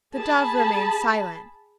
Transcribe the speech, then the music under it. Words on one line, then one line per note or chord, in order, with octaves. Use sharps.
The Dove remained silent.
G#4 A5 B5